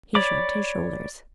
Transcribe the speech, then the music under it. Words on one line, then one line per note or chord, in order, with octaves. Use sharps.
He shrugged his shoulders.
C#5 D5 B5 D6